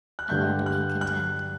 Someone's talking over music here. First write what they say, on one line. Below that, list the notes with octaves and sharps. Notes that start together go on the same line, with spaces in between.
I learn to be content.
F#6
G2 D3 G3 G6
F#6
F#6